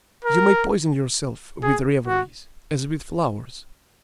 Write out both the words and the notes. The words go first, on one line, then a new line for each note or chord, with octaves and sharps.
You may poison yourself with reveries, as with flowers.
A#4
G#4
F#4